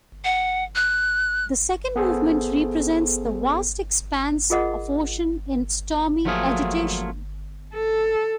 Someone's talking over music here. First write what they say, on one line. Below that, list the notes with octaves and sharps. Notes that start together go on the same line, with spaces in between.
The second movement represents the vast expanse of ocean in stormy agitation.
F#5
F#6
B3 G#4 A4 C5
F4 G#4 A#4 D#5 F#5
F3 F#3 A3 A#3 F4 G#4
A4